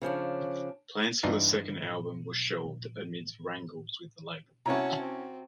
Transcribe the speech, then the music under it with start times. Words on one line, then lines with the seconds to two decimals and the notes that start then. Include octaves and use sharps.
Plans for a second album were shelved amid wrangles with the label.
0.02 C#3 F3 C#4 D4
1.23 G2 E3 D4 D#4 F4
4.66 C3 C#4 E4 F#4 C#5 A5 A#5
5.00 C4